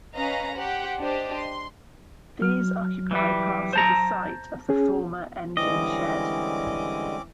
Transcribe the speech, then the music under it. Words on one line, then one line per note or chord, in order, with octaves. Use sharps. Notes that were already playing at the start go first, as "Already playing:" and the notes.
These occupy part of the site of the former engine shed.
C#4 B4 D#5 F5 A#5
G4 C5 F#5
D4 G4 C5 D#5
C6
F#3 F6
E3 G3
C5 A5 A#5
C#4 G#4
D3 E3 G3 G#3 C4 C#4 D#5 D6